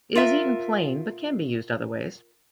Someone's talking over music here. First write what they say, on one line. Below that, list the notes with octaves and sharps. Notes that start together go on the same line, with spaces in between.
It is eaten plain, but can be used other ways.
F4 A#4 E5